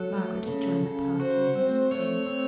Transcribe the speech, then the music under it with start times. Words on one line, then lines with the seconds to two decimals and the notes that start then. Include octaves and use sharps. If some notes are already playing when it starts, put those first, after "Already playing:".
Margaret had joined the party in the evening.
Already playing: F#3 A4
0.13 A3
0.48 C#3 A4
0.84 C#3
1.20 F#4 C5
1.55 C4 C5
1.91 A3 C#5
2.26 C4